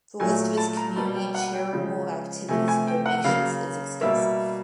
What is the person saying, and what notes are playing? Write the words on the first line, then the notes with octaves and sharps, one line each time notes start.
The list of his community and charitable activities and donations is extensive.
A#2 F#3 A3 G#5
A5
A#5
B2 G3 A#3 A5
G5
F#5
G5
C#3 F3 G#3
C3 F3 A3 G#5
G#5
G5
F#5
C#3 F#3 A#3 F5
B2 G3 A#3 E5